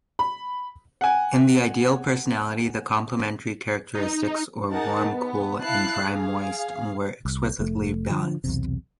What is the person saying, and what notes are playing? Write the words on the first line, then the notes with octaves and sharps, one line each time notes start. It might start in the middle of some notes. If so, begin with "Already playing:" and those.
In the ideal personality, the complementary characteristics or warm-cool and dry-moist were exquisitely balanced.
B5
F#5 G#5
D#4
D#4 G#4 A#4 F#5 A5
B3
E4 F5 A5 F#6 C7
G#4 F5
C2
F1 A3
D3 F3
B1 E2 C3